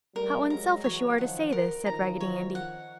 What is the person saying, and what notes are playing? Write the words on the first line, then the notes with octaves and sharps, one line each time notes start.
"How unselfish you are to say this!" said Raggedy Andy.
G3 A3 A#4
F#3 G#3 A#5
E3 F#3 C#5
D#3 F3 F#5
A#4
D#3 F3 A#5
C#5
F#5